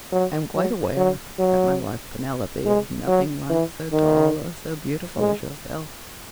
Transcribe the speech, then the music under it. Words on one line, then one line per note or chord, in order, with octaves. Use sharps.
I am quite aware that my wife Penelope is nothing like so tall or so beautiful as yourself.
F#3
F#3
F#3
F#3
G#3
F#3
E3
D#3
G#3